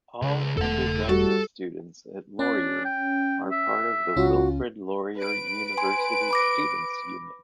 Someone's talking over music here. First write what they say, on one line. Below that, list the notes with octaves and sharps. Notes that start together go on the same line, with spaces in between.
All undergraduate students at Laurier are part of the Wilfrid Laurier University Students' Union.
C#2
E1 A3 A4 F#5
G3 F#4 A4
C#4 D4
G5
E5
C#2 C#4 F4 F#4
B4 D7
G#5 C6
B5 D6 A#6